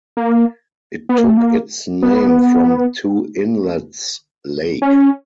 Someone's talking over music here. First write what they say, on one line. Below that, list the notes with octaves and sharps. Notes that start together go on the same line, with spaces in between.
It took its name from Two Inlets Lake.
A#3
B3
A#3
A3
A#3
B3
C#4